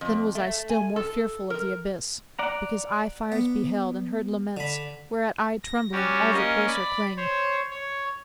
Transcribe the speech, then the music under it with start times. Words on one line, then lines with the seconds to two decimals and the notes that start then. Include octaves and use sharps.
Then was I still more fearful of the abyss; Because I fires beheld, and heard laments, Whereat I, trembling, all the closer cling.
0.01 F2
0.35 A3
0.70 G#5
0.96 A4
1.50 A#4
2.39 D5 F#5 A#5
3.32 B3
4.57 D3 B5
5.63 A#6
5.92 G3 C#4 F#4 G4
6.33 A#3 C#4 D#5
6.67 D5 B5
7.17 C5 C#5
7.71 C#5